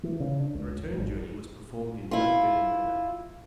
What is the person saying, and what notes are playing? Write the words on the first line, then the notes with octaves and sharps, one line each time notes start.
The return journey was performed in no better manner.
E3
C#3
D4
C#2
F1
G#1
E4 F4